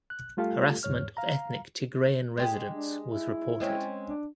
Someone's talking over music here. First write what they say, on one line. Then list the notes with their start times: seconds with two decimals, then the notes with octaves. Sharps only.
Harassment of ethnic Tigrayan residents was reported.
0.10 F#6
0.37 G3 A3 F4 G4 A4 F5
0.83 E2 G#2 C#5 F6
1.17 F5 A#5
2.37 G#3 G4 G#4
2.69 D4
3.07 E4
3.60 G#3 C4 C#4
4.06 D4